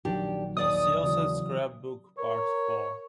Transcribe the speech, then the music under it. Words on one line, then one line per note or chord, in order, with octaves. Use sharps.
A Syosset Scrapbook Part Four.
A#1 D#3 F#3 D4 G4
D#2 D5 D#5 D#6
C#3 E3 F#3
A#4 C#5